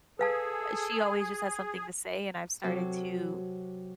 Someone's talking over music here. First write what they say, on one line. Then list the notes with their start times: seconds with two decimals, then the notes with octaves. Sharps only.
Eh, she always just has something to say, and I've started to
0.19 G#4 A4 B4 F5 A5
2.63 C3 F#3 F#4 A4